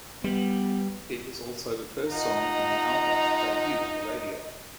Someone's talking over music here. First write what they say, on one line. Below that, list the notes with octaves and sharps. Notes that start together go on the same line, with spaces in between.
It was also the first song from the album to debut on the radio.
G3 B3
F3 D#4 F4 D#5 F#5 A#5